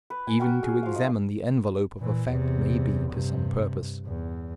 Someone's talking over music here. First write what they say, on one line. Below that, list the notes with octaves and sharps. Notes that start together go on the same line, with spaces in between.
Even to examine the envelope of a fact may be to some purpose.
B4
G#5
F#4 A#4 G5
G#4
F3 F5
D#4 D#6
A#2 E3
E2 C3
G2 C3
E2